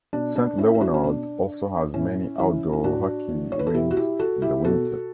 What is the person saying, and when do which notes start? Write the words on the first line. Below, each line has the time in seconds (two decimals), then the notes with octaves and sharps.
Saint Leonard also has many outdoor hockey rinks in the winter.
0.13 B2 D4
0.36 D4
0.58 C#4 E4
0.74 E4
0.81 D4 F#4
0.94 C#4
1.03 B2 D4
1.94 A2 C#4 E4
2.39 E3 C#4 E4
2.73 E4
2.84 A2 D4 F#4
3.29 E3
3.52 C#5
3.59 B4
3.67 A4
3.74 B2 E4 G4
3.91 F#4
3.97 E4 G4
4.19 F#4 A4
4.42 E4 G4
4.65 B2 F#4 A4